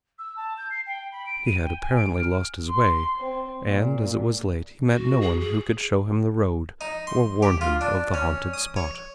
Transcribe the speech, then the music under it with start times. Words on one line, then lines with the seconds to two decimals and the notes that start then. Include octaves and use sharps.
He had apparently lost his way, and as it was late he met no one who could show him the road or warn him of the haunted spot.
0.19 E6
0.36 A5
0.58 G6
0.71 C7
0.87 G5
1.12 B5
1.26 D7
1.46 D#7
1.63 G5
1.81 G#5
1.96 D7
2.18 F6
2.69 C6
3.19 C4
3.63 A#2
4.90 F#4
5.21 G#4
5.40 G#4
6.81 D#4
7.07 C6
7.43 G4
7.61 F4
7.81 D4
8.14 C#4
8.54 D#6
8.76 C#5